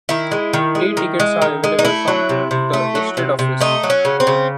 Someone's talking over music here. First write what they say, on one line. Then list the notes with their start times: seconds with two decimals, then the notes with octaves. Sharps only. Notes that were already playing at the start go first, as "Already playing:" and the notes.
Day tickets are available from the Estate Office.
0.09 D#3 E4
0.32 G#3
0.53 D#3
0.75 G#3
0.97 D#3
1.20 G#3
1.42 D#3
1.64 G#3
1.79 D#4
1.85 A3 E4
2.08 F#3
2.29 C3
2.51 C3
2.73 A3
2.95 F#3
3.17 C3
3.39 C3
3.60 A3 D#4
3.83 F#3
3.90 C#4
4.05 C#3
4.20 C4
4.27 C#3